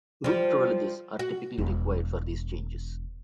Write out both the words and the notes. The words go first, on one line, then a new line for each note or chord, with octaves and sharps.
Root privileges are typically required for these changes.
F3 G3
F#4
E1 B3